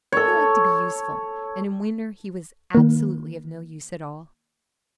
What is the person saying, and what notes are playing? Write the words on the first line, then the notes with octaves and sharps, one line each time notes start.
He liked to be useful, and in winter he was absolutely of no use at all.
A4 C#5
D#3 A#3